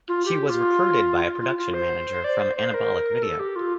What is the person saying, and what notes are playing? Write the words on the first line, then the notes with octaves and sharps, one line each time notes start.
She was recruited by a production manager from Anabolic Video.
F4
G4
F4
F4
F4
F4
C5
D5
C5
C5
A#4
A4
G4
F4